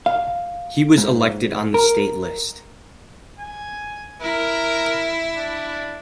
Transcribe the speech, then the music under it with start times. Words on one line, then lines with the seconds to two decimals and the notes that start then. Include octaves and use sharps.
He was elected on the state list.
0.06 F5
0.98 G#2
1.74 A#4
3.39 G#5
4.22 E4 A#4
5.37 D4